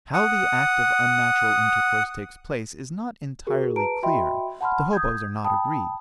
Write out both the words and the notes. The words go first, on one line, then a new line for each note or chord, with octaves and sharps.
How the act of unnatural intercourse takes place is not entirely clear; the hoboes are not agreed.
F#5 D#6
F#4 G#4 A#4
B4 A5 A#5 D7
F#4 D#5 E5 G5 B5 C6
F#5 A5 B5 C6 F6
D#6 G6 G#6
G5 A5 B5 D#6